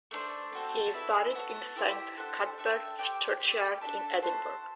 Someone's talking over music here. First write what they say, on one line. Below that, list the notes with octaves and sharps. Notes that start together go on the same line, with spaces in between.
He is buried in Saint Cuthberts churchyard in Edinburgh.
A3 D4 A4 C5
C4 F#4 A4
E4 B4 E5
B3 F#4 A4
E4 G4 C5 E5
D4 A4 C5 F#5
D4 A4 E5 G5
G4 C5 G5
A3 C4 G4 D5
D4 A4 E5 A5
F#4 C5 E5 A5